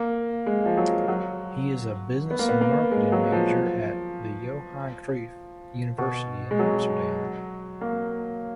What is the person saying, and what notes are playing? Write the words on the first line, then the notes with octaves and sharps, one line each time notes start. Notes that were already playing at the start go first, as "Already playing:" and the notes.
He is a Business and Marketing major at the Johan Cruyff University in Amsterdam.
Already playing: A#3
G#3
F3
F#3
F#3
B3
A#3
B3
A#3
G#3
F#3
F3
B2
G#3
F#3
A#3